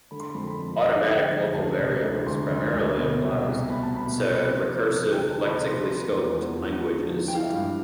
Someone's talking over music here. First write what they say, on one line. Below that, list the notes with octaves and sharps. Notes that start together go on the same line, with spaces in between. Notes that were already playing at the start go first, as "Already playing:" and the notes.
Automatic local variables primarily applies to recursive lexically-scoped languages.
D3 B5
C6
F2 B5
B5
F2
D3 A5
D3
G5
F2
D2 A5
C3
D2
D2 C6
D2
D2
B2
C2
C2
B2 B5
A5
B2 B5
C2
C3
F3
C3
D2 G5
A5
F3
B5
A5
C3
C6
F3 C6
B5
C6
E2
E2
F3
F3
F3
E3 G5
F5
E5
G2 F5